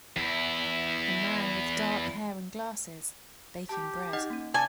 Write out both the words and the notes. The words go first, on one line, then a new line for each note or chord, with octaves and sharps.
A man with dark hair and glasses baking bread.
E2 E4
G4 A5
D#4 D#5 F#5
A#3 C#4
G#5 A5 D6